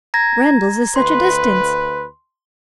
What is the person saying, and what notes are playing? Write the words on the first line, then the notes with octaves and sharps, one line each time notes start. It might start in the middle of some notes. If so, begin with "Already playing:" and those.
Randalls is such a distance.
A#5 G#6 A#6
D2 B4 C6